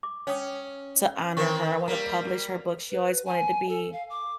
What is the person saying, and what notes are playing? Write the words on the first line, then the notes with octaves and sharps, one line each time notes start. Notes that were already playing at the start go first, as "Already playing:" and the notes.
to honor her. I wanna publish her book. She always wanted to be
D6
C#4 C#5 G5 D#6
D#3 C4 A#4 C#6
G3 A#3 A#4 A#5
B4
G#5
A4
F5
D6